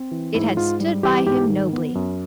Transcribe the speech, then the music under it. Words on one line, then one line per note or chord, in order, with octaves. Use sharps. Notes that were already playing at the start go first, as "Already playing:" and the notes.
It had stood by him nobly.
Already playing: C4
E3
G#2 E4
G#2 F4
G3
E3 G4
G#2 G4
D#3
B3
F#2